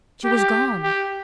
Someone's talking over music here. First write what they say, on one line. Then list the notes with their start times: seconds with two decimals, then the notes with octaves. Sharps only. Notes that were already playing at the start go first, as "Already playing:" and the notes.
She was gone.
0.25 G4
0.83 G4